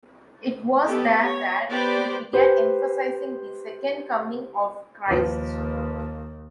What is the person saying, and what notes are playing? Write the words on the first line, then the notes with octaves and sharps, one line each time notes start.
It was there that he began emphasizing the Second Coming of Christ.
B3 G4 A4
C#5
B3 G4 B4 C5 D5
G4 B4 C5
D#2 F3 B4